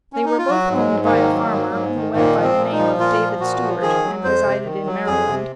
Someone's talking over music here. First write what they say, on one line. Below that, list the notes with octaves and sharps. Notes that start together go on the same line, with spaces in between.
They were both owned by a farmer, who went by the name of David Stewart, and resided in Maryland.
C#4
D#4
F4
F#3 F#4
G#2
G#3
G#2
A#3
D#3
F#3
G#2
G#2
D#3
A#2 A#3
F3
C4
A#2
D#4
F3
A#2 F4
F3
A#2 F#4
F3
D#3 G#4
F#3
F2 C5
C3
D#3
F#3
F2 G#4
C3